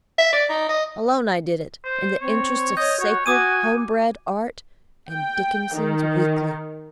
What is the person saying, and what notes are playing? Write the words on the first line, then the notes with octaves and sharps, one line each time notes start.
Alone I did it, in the interests of sacred, home-bred Art and Dickenson's Weekly.'
E5
D5
D#4
D#5
C5
C4 C#5
C#5 D#5 G6
F#4 C#5
F#4 G#5 D6 D#6 D#7
G5
D#3